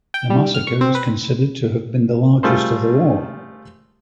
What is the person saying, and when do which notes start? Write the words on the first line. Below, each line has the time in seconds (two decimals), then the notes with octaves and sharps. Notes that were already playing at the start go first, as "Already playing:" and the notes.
The massacre is considered to have been the largest of the war.
0.14 G5
0.30 G3
0.54 F6
0.67 C#6
0.81 C4
0.95 B4
2.43 G3 A3 F4 G#4 A#4 C5